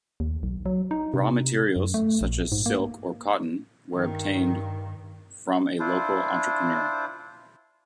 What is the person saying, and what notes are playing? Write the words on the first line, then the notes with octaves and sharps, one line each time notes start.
Raw materials, such as silk or cotton, where obtained from a local entrepreneur.
D#2
B1
F#3
D#4
C3
F#2
A3
A#1
G#2
A#3
G2 D#3
D4 E4 F4 C5